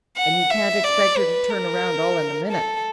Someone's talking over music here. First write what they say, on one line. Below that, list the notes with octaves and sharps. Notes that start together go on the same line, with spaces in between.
And you can't expect her to turn round all in a minute.
F#5
E5
D5
B4
A#4
A4